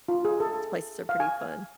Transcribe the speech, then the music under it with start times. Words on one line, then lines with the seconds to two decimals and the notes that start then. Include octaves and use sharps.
places are pretty fun.
0.08 F4
0.25 G#4
0.40 A4
1.09 F5
1.20 G#5